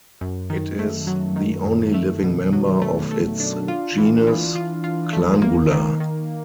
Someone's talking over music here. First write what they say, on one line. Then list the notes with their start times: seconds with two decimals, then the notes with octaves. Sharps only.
It is the only living member of its genus, "Clangula".
0.21 F#2
0.50 D#3
0.79 A3
1.07 F#3
1.36 D#3
1.65 F#2
1.94 A3
2.24 B2
2.53 F#3
2.82 A3
3.11 A3
3.40 D4
3.68 F4
3.98 E3
4.27 E3
4.55 F4
4.84 F4
5.13 A3
5.42 A#3
5.71 D#3
6.00 D#3